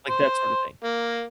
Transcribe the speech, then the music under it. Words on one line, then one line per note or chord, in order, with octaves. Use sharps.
like, that sorta thing,
C5
A#3